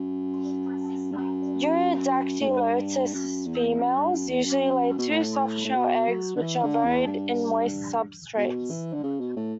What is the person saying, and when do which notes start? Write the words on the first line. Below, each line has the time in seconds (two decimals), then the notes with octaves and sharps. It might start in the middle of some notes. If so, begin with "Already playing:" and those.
"Eurydactylodes" females usually lay two soft-shelled eggs which are buried in moist substrates.
Already playing: F#2
1.11 G2
1.17 F#2
2.41 A2
2.48 G2
3.13 F#2
3.46 E2
3.78 F#2
3.96 G2
4.12 F#2
4.29 E2
4.44 F#2
4.98 B2
5.10 A2
5.65 A2
5.75 B2
6.08 F#3
6.36 D3
6.41 E3
6.63 D3
6.85 E2
7.06 G2
8.37 B2
8.70 E3
8.93 D3
9.03 C#3
9.20 B2
9.36 A2